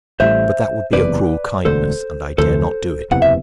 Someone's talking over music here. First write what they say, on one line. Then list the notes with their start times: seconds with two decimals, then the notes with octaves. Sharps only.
But that would be a cruel kindness, and I dare not do it.
0.20 A1 A2 G3 C5 E5
0.92 F#1 E2 C3 B4 D5
1.65 E1 D2 D3 A4 C5
2.38 D2 C3 E3 A4 C5
3.11 F#1 E2 C3 E3 F#5
3.22 E5